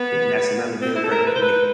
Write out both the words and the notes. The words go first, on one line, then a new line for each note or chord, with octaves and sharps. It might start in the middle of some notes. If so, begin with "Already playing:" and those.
then that's another deal breaker for me.
Already playing: B3
C4
E4
A4
A#4
B4
C5
B4